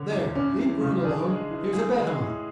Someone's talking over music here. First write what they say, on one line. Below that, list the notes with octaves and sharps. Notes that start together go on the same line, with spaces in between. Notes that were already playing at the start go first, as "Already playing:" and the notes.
"There, leave Bruin alone; here's a bet on."
Already playing: D3 C#4
E2
C#4 D4
E3
C#3
D4 G#4
G#3
E3
G#4
G#3
A2